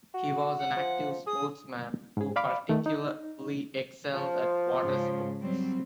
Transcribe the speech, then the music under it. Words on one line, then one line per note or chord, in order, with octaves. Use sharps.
He was an active sportsman who particularly excelled at water sports.
F#4
F#5
F3
G#4 D#6
G#2 G#4
D5 F5 B5 D6
D#3 A3
D#4
F3
G#2 C#3
F#3 G3 C4